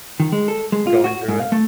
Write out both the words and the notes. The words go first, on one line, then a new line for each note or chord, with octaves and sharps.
Going through it?
D#3
G#3
A4
G#3
F4
F#4
G#2
F5
A3